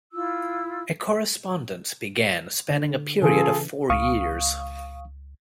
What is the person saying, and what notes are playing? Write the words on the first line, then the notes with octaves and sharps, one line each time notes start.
A correspondence began, spanning a period of four years.
E4 F4 E6
D3
C#3 E3 F4 G#4 A4
C#2 F5 C#6 D#6